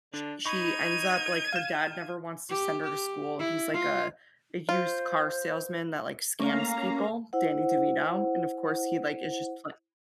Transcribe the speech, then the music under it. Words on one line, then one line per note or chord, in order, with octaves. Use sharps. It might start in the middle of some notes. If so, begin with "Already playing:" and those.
sh she ends up like, her dad never wants to send her to school, he's like a a used-car salesman that, like, scams people Danny DeVito, and of course he, like, it's just pl
D3 D4
D#4 B5 C#6 G#6 D#7
F5 E7
G4
G4
E4
F4
F4 C5
A3 A#3 C#4 F5 A#5
E4 C5 F#5